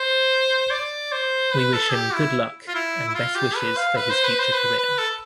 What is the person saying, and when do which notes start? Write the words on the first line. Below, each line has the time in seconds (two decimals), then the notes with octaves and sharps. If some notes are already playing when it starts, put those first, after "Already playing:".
We wish him good luck and best wishes for his future career.
Already playing: C5
0.71 D5
1.12 C5
1.53 B4
1.73 A4
1.92 G4
2.14 E4
2.68 F4
2.75 E4
3.08 E4
3.15 F4
3.35 G4
3.56 B4
3.77 F5
3.96 B4
4.10 C5
4.24 B4
4.39 C5
4.53 B4
4.78 B4
4.98 A4